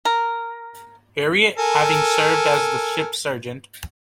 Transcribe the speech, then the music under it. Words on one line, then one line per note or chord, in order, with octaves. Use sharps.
Harriet, having served as the ship's surgeon.
A#4
A4 A#4 G#5